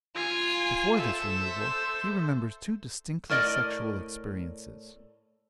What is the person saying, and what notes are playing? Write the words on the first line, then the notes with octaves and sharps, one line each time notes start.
Before this removal, he remembers two distinctly sexual experiences.
F4 G#5 C7
A4 C5 E5
A2 A#4 D5 D#5